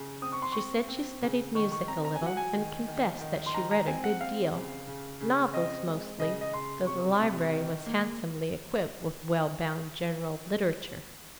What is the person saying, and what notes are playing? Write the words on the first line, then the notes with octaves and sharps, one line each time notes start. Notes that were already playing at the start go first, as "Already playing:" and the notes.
She said she studied music a little, and confessed that she read a good deal, novels mostly, though the library was handsomely equipped with well-bound general literature.
Already playing: C#3
C4 D#6
C#6
C6
C4 C#6
C4
C#3
D#3 C#6
C#6
C4 A#5
A#5
G#5
F#3 F#5
G#5
D#3
D#3
D#3
C6
D#3 A#5
A#5
C4 G#5
F#5
C4 F5
C#3
C#3
C#3
C4 D#5
G#3
C#3 D#5
D#5
C#3 C6
C3 C#6
C3
D#3
A#3